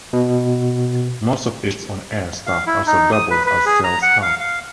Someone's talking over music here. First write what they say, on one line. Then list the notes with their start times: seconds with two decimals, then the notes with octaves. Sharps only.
Most of its on air staff also doubles as sales staff.
0.13 B2
2.47 F5
2.67 E4
2.87 D#4
3.12 D#6
3.31 B4
3.46 B4
3.66 G#4
3.84 A#5
4.02 F#5
4.22 F5
4.40 F5